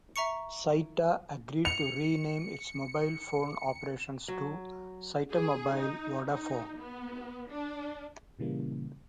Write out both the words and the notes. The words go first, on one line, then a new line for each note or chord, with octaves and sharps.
Cyta agreed to rename its mobile phone operations to Cytamobile-Vodafone.
E5 A#5 C#6 C#7
C#7 F7
F#3
G#4
D#4
D#4
B3
D4
A#2 C#3 E3 G3 A#3